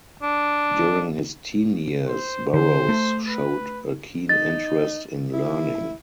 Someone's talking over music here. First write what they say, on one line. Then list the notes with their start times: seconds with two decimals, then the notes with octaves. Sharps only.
During his teen years Burroughs showed a keen interest in learning.
0.22 D4
2.08 C5
2.54 D3 C5
2.88 A3
3.28 B4
4.29 D#4 A6
5.33 E4